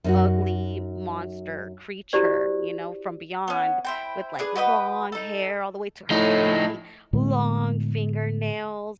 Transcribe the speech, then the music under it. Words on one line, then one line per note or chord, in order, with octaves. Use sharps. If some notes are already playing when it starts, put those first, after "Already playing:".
ugly monster creature, you know, from beyond, with, like, long hair all the way to her feet, long fingernails
F#2 D#4 F#4
E4 F#4 G4 C5 D5
B3 C#4
E4 C5 G5
D4 G#4 B4
F#4 B4 D#5 G5
D#4 A4
A2 F3 D#4
A2 D3 G#3 B3